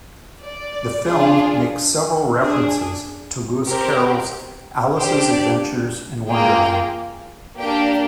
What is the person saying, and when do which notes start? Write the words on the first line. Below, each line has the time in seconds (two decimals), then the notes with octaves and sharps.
The film makes several references to Lewis Carroll's "Alice's Adventures in Wonderland".
0.43 D5
1.07 D4 F4 G#4
2.38 D4 G#4
3.68 C4 G4 A#4
4.98 D4 G4 C5
5.31 D5
6.29 A#3 F4 G#4 G5
7.59 A#3 D4 G4 G5